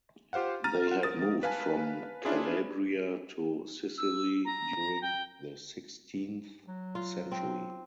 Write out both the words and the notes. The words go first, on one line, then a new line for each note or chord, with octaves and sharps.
They had moved from Calabria to Sicily during the sixteenth century.
F4 G4 C5 F5 F#5
A#5 F6 A6 D#7
F4 F#5
A#4 D#6 A6
B4 F5 G#5 A5
C#4 D4 E4 F4 G#4
E6
A#5
G5
F#3
F4
C4